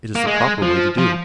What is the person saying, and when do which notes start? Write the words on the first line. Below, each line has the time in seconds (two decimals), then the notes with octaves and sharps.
It is the proper way to do.
0.15 A#3
0.27 G#3
0.62 F3
0.98 F3